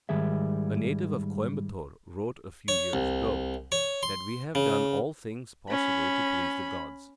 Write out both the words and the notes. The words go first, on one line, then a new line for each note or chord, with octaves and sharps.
A Native of Coimbatore wrote a few years ago that we have done all things possible to please the gods.
G#2 D#3 G3 G#4 E5
C#5
C2
C#5
C6
C#3
C#4 B5